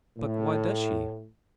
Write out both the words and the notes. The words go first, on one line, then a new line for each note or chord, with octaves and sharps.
"But why does she?"
A2